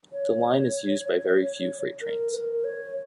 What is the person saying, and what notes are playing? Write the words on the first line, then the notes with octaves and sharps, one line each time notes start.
The line is used by very few freight trains.
C#5
A#4
B4
A#4
C#5